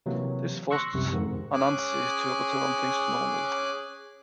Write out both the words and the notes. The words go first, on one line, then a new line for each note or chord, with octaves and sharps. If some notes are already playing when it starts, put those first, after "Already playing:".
This forced Anansi to return things to normal.
C3 E3 F#3 A#3
C6 C#6 E6 F#6 A#6 C#7
C2 F#2 C3
F2 G#2 D#3
C#4 G#4 G#5 D6 F#6